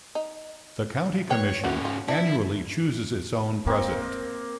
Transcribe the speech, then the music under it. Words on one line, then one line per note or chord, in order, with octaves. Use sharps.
The County Commission annually chooses its own president.
D#4
B4 C#5 G5
G#2 E3 C#4 F#4 A#4
F4
D4 E4
A#3 C4